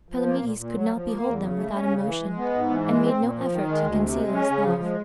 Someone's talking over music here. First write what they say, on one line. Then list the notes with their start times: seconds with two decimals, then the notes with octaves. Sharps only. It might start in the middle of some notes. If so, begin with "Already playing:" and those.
Palamedes could not behold them without emotion, and made no effort to conceal his love.
0.09 F3
0.26 A#3
0.42 A#2
0.58 A#2
0.74 F#3
0.91 F3
1.07 A#3
1.23 E2
1.40 C#3
1.56 A3
1.73 C#4
1.88 C#3
2.05 E3
2.21 G#3
2.37 B3
2.54 G#2
2.70 E3
2.87 G#3
3.03 C4
3.20 A#2
3.36 F3
3.52 D#3
3.67 G#3
3.84 D2
4.01 C3
4.16 G#3
4.33 C#4
4.50 C#3
4.65 F3
4.82 G#3